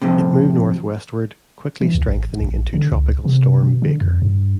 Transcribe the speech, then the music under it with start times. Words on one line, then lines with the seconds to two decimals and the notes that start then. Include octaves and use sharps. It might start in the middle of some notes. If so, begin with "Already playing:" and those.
It moved northwestward, quickly strengthening into Tropical Storm Baker.
0.02 F2 A2 C3
1.81 E3
1.95 D2
2.08 A1
2.41 A#1
2.74 D3
2.92 C#2
3.25 C3
3.63 B2
3.82 D3
4.01 F2
4.22 G2